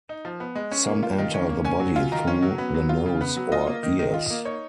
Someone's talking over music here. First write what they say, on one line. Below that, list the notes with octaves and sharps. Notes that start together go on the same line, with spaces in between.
Some enter the body through the nose or ears.
D#4
F3
B3
G#3
C#4
A#3
F4
D#3
C#4
A#3
C#4 G#5
F#3
F4
D#3 A#5
C#4
F#3
B3
F#3
F4
C#3
B3
F#3
F4 D#5
A#3
D#3
D#3
F4
A#3
D#4 C#5